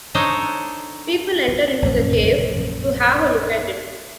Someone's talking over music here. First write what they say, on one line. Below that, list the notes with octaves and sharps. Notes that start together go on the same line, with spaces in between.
People enter into the cave to have a look at it.
D4 D#4 A4 C5 C#5 D#5
A#1 F#2 A#3 C#4